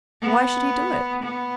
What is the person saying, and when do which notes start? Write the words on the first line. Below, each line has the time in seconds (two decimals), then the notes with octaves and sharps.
Why should he do it?
0.21 B3
1.23 B3